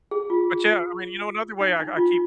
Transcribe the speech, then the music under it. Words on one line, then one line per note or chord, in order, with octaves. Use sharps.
But, yeah, I mean, you know, another way I I keep
G#4
F4
D#4
D#4
F4